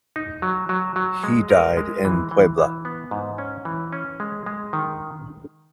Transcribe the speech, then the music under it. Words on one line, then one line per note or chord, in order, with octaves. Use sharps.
He died in Puebla.
D#4
F#3
F#3
F#3
G#3
A#4
G#3
E3
E3
E3
B3
G#2
C#4
E3
C#4
G#3
G#3
D#3